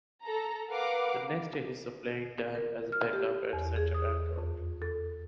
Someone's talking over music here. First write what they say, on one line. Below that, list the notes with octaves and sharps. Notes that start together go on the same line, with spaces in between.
The next year, he saw playing time as a backup at center and guard.
A4 A#5
A#4 B4 F5 F#5 D6
A#4
F6
G4
E2
G#4
D#6
F2
A4